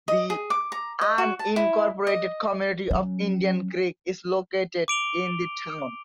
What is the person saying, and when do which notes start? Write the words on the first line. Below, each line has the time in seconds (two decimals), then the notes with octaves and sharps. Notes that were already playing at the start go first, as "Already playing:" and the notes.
The unincorporated community of Indian Creek is located in the town.
0.08 D#5
0.30 G#4
0.50 D6
0.72 A#5
1.01 D#5
1.18 F#4
1.39 A5
1.56 E4
2.07 D#5
2.91 F#3 C#4
4.88 D6 D7 F7 G7